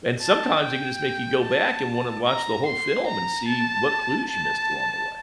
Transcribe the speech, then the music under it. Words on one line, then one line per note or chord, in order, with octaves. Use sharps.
and sometimes they can just make you go back and wanna watch the whole film and see what clues you missed along the way.
A5
G5
A5
A#5
C6
A#5
A5
A5